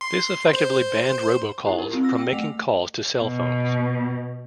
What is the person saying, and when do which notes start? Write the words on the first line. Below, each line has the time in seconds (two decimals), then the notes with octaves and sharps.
This effectively banned robocalls from making calls to cell phones.
0.01 C6
0.53 C5
1.66 E4 G4
1.77 D#4 A#4
1.91 C4 F4 G4
2.03 E6 F6 A#6
2.17 G5 E6
2.33 A3 F#5 F7
3.19 B2